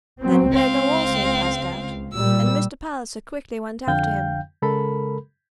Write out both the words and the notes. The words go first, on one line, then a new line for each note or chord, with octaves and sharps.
Then Burgo also passed out, and Mr. Palliser quickly went after him.
F#3 C4
C#2 C4 F5
A#2 G3 E6
F2 D3 F5 G5 G6
C#3 G#3 A4 A#4 B5